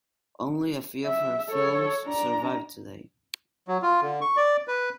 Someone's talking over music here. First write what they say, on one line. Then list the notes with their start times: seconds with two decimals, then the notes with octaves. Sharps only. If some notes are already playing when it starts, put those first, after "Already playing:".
Only a few of her films survive today.
1.06 E5
1.49 A4 C#5
2.05 D4 A#5
3.68 F#3
3.82 F4
4.02 D3
4.22 C#6
4.37 D5
4.68 B4